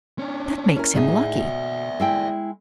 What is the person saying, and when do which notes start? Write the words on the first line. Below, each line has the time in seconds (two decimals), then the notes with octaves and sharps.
"That makes him lucky."
0.19 C#4 D4
0.76 C#4 E4 A#4
0.94 A2 D#4 G#4 D5 E5
1.39 B2
2.00 G#3 E4 G5